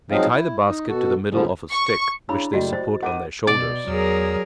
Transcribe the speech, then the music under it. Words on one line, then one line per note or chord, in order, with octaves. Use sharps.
They tie the basket to the middle of a stick, which they support on their shoulders.
F3 F#3 G#3 C4 D#4 F5
E4
D#4
B2 F#4 A4
F2 G#2 D3 F3 G3
C#6
C#3 D4 E4 B5 E6
F#1 G3 A3 F#4 D#5
C5 A6
D#3 F#5 D6 D#7
B2 D5
E2 F#3 G#4 A#4